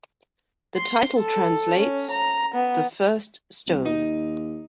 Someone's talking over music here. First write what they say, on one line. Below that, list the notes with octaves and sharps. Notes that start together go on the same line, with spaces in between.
The title translates "The first stone".
C6
A4
C#4
A#5
B3
C2
D#2 D#4